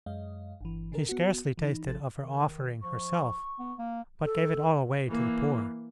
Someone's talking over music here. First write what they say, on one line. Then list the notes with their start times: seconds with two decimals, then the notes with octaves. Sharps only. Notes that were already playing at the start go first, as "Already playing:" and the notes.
She scarcely tasted of her offering herself, but gave it all away to the poor.
0.06 F#2 G#3 D#5 F5
0.61 G1 E3
0.92 C#3 D4 A4 A#4
1.09 B3 F#4
1.58 E3 D#4
1.87 A1 F3 A4 A6
2.21 D#3
2.81 F3 C#6
3.59 B3
3.79 A#3
4.24 A4
5.09 E3 A#3